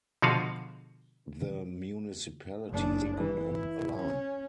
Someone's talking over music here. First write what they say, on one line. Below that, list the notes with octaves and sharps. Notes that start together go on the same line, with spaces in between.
The municipalities had taken an alarm.
B2 D3 F3 F#4 G#4 F5
F#1 D4
E3
E4
C#4